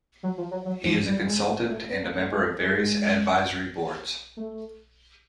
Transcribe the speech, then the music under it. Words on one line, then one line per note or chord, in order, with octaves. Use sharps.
He is a consultant and a member of various Advisory Boards.
F#3
F3
F#3
F#3
F3
G3
G3
G#3
A3
A3
B3
A#3
A3
G#3
G3
G#3
A3